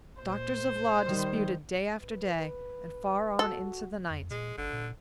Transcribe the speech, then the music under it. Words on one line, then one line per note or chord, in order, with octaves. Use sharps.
Doctors of law disputed day after day, and far on into the night.
A#2 C5
D#3 G3
B4
F#4 A4
F2
A#2 G#3
G1 D3
A#2